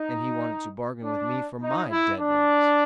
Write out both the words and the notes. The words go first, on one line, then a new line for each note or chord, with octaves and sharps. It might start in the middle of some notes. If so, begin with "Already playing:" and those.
And he wanted to bargain with me for my DEAD ones!
Already playing: D#4
D4
D#4
E4
D4